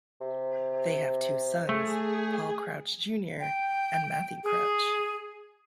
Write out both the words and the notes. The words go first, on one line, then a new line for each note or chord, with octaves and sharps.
They have two sons, Paul Crouch, Junior and Matthew Crouch.
C3
A3 G#4
G5
G#4